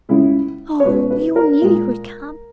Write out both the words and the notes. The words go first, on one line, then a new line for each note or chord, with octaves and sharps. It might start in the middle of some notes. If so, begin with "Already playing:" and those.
'Oh! we all knew you would come.
C#2 C#3 G#3 E4
C#5
C#2 B2 G#3 B4
B4
A#4
A#2 G#3